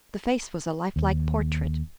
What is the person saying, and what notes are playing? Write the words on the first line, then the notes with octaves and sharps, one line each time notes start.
The face was a lifelike portrait.
D#2